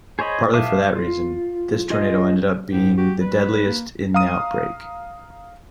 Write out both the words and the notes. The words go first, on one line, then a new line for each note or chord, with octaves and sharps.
Partly for that reason, this tornado ended up being the deadliest in the outbreak.
G#4 C5 C#5 D#5 B5
E5 F5 A5 D6 D#6
F4
F4 G#4 D#5
G#2 G4
F#4 G4
G3 B4
A#3
F5 A#5 D#6 D#7